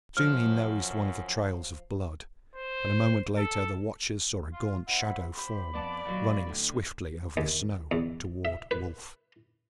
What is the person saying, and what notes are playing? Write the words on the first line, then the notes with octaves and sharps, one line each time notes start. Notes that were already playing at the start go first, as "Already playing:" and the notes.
Soon he nosed one of the trails of blood, and a moment later the watchers saw a gaunt shadow form running swiftly over the snow toward Wolf.
F#2 F3 F6
C5
A4
F4
C4 E4 F#5 B5
G4 C5 B5
F2 B3 D5 A5
D#2 A#2 F#3
A2 D3
D#2
E2
E5
B4